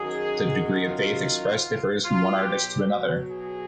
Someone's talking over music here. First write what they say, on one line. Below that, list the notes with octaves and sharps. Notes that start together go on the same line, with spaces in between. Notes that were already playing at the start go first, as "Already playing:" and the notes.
The degree of faith expressed differs from one artist to another.
Already playing: F#2 D#3 F#3 G#4
F4
B2 F#3 F4
G4
G#4